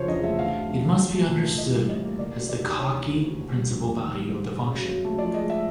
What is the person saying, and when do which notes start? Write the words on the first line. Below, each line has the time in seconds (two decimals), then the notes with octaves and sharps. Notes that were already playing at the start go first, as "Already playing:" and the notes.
It must be understood as the Cauchy principal value of the function.
Already playing: C#3 F3 C5 C#5
0.08 E2 D#5
0.23 A3 E5
0.39 D3 F5
0.53 F#3
0.69 F2
0.83 F2
0.99 F3
1.14 A3
1.28 A#2
1.44 A#2
1.58 E3 D#5
1.73 G3
1.88 A2 D#5
2.03 A#3
2.19 D3 D5
2.34 F#3
2.49 D#2 D5
2.64 D#2
2.78 C#3 C#5
2.94 E3
3.09 D2
3.24 D2
3.38 D3
3.53 G3
3.69 F2
3.84 A#3
3.99 D#3
4.14 G3
4.29 G#2
4.44 G#2
4.59 C#3
4.75 F#3
4.89 F#2
5.05 A3
5.18 F3 D5
5.34 G#3 D#5
5.50 E5